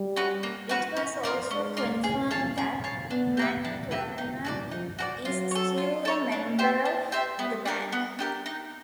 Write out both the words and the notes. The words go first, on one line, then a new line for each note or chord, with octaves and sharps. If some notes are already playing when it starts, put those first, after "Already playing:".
It was also confirmed that McClarnon is still a member of the band.
Already playing: G3
C#4 F#4 B4
A#3
C#4 F#4 B4
C#4
F4 A#4 D5
G#3 C#4
F4 A#4 D5
G#4
C#5 F5 A5
G#4
C#5 F5 A5
B3 D4
G4 B4 E5
D4
G4 B4 E5
B3 D#4
F#4 A#4 D5
F3 D#4
F#4 A#4 D5
F#3 F4
C#5
A4
F4
A4 C#5
D4
G4 C5 E5
D4
G4 C5 E5
G3 B3
D4 G4 A#4
B3
D4 G4 A#4
D#4